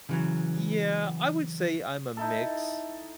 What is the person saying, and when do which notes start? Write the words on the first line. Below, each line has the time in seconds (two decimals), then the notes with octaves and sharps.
Yeah, I would say I'm a mix.
0.09 C#3 E3 F#3
2.17 D#4 E4 A4